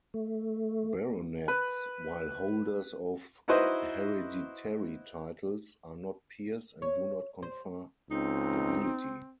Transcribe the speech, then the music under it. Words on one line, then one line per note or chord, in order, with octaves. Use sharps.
Baronets, while holders of hereditary titles, are not peers and do not confer nobility.
A3
B4
D#4 E4 F#4 B4 C5 D#5
C#5
C5
C#2 C4 D#4